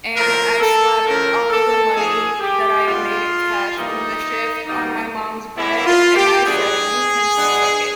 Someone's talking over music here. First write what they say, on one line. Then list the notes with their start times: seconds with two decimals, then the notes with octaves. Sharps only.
and I slapped all of the money that I had made in cash from the shift on my mom's bed, and I said, "You can suck it,
0.15 A2 F3 A3 A#4
0.60 A4
1.05 A2 F3 A3 C#4 A#4
1.50 A4
1.95 F3 A#3 D#4 G#4
2.40 G4
2.86 B2 G3 B3 D4 F4
3.76 E3 G3 A#3 D#4
4.66 B2 G3 A#3 D#4
5.55 A2 E3 G3 B3 E4
5.86 F4
6.16 G4
6.46 A2 F#3 B3 D4 G#4
7.36 B2 G#3 B3 D4